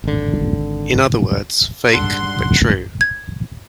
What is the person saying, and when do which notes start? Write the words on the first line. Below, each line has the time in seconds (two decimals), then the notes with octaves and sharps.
In other words, fake but true.
0.04 G#1 D3
1.94 G#2 G3 D4 A4 F#5 C6
3.01 G#6